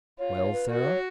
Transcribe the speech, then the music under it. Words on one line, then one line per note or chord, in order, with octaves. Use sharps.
"Well, Sarah!"
F4 C#5
C#5
B4
F#4 A#4
C#5